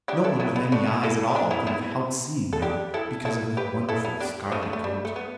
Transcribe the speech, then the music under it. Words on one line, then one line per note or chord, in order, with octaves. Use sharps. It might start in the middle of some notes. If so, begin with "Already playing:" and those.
No one with any eyes at all could have helped seeing him, because of that wonderful scarlet coat.
D4 G4
E4 A4
B3 E4
B3
A3 D4
B3 E4
E4 A4
D4 G4
B3 E4
B3 E4
A4
D4 G4
E4 A4
E4 A4
G4 B4
E4 A4
B3 E4
D4 G4
A3 D4
A3
A3
G3
A3
B3